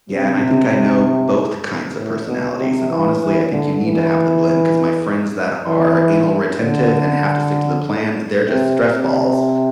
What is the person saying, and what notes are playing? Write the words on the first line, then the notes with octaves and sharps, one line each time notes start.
Yeah, and I think I know both kinds of personalities. And honestly, I think you need to have the blend, 'cause my friends that are anal-retentive and have to stick to the plan, they're just stress balls.
C3
A2
B2
C3
E3
E3
D3
E3
E3
D3
C3
C3